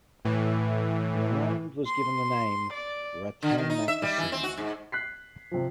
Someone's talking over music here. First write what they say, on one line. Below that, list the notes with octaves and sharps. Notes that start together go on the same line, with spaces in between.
The island was given the name 'Rattanakosin'.
A2 E3
C6
D5
D3
D#3
D#4
E5
G3
E3
C4
F#4
G#2
F#6 B6 C7
C3 F3